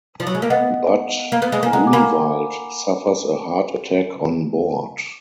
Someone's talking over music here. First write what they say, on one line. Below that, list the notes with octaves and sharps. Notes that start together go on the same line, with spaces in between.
But Gruenwaldt suffers a heart attack on board.
F3
F#3
G#3
A#3 F5
B3 D#5 F#5
A#3
B3
G#3
A#3 G#5
G#3 F#5 A#5
D6
A#3 G#5 B5